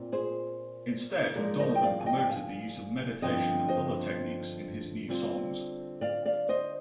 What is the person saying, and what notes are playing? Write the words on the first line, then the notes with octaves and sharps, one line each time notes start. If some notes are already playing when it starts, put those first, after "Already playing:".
Instead, Donovan promoted the use of meditation and other techniques, in his new songs.
Already playing: A#2 C4 F4
G#4 C5
A#2 F3 G#3 D#4 A#4 D5
C5 D#5
G5
D5 F5
G#5
D#5 G5
G5
F5 G#5
G2 D3 F3 C4 D#5 G5
C5 D#5
D3 G3 C4 F4
D5 F5
D5 F5
C5 D#5